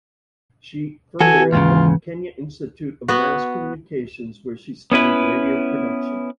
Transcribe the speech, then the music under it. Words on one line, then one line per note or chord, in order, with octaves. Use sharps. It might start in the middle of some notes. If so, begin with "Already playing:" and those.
She furthered at the Kenya Institute of Mass Communication where she studied radio production.
E3 F#4 A4 G#5
D#2 G#2 C#3 F4
B3 F#4
B3 C#4 E4 B4